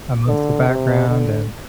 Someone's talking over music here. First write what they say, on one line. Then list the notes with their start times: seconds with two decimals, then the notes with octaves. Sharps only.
amongst the background, and
0.27 D3
0.68 C3
1.08 D3